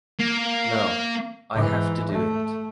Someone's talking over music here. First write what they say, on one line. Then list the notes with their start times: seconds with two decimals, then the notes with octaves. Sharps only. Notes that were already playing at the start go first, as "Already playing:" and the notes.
No, I have to do it.
0.20 A#3
1.53 G#2 E3
2.12 A3